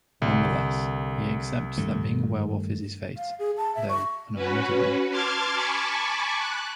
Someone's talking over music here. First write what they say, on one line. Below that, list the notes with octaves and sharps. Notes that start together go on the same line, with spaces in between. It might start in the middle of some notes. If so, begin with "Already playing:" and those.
Nonetheless, he accepts that being a werewolf is his fate, though an unwanted one.
C2 D3
G2 D#3 A3
F5
G#4
A5
E5
C#6
C#4 F#4 B4
A5 C6 D6 F6 G#6 A6
G#5 A5 B5 C#6 D6
F#6